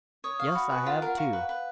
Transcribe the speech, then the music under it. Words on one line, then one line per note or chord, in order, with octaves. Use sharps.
Yes, I have, too!
C#5 D#6
F5 D#6
C#6
F#4 B5
B4 G#5
F4 F#5
A#4 F#5
F#4 F5
B4
B4